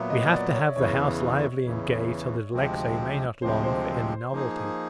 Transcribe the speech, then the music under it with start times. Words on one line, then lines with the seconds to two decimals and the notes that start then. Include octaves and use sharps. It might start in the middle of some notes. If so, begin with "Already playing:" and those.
We have to have the house lively and gay, so that Alexey may not long for any novelty.
Already playing: A#2 F#3 B3 E5 F5
0.10 D#5
0.32 D5
0.54 C#5
0.76 E2 C#3 E3 C#5
1.65 E2 C#3 E3
2.54 D2 C3 F3 G#3 C4
3.42 D2 C3 F3 G#3 C4 C5
3.64 C5
4.32 F3 A#3 D#4 G#4